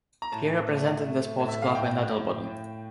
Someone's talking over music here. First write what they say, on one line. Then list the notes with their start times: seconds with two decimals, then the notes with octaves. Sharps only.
He represented the sports club in Adelboden.
0.22 A#5
0.32 A2 A5
0.68 A3
1.04 A3
1.40 A2
1.49 E5
1.62 F5
1.75 A2 G5
2.11 A2
2.47 A2